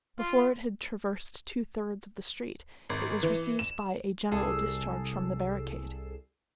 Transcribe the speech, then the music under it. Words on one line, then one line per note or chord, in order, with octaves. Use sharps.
Before it had traversed two thirds of the street it was received by a general discharge from the barricade.
F4
G#1
E3
E7
C2 G#4 A4 E6 C7